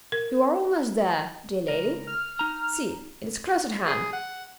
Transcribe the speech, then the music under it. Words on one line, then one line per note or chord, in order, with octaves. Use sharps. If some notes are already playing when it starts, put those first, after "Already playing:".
"You are almost there, dear lady--see, it is close at hand!"
A#4
C#2 A#4
F6
D#4 A#5
G#4
F#5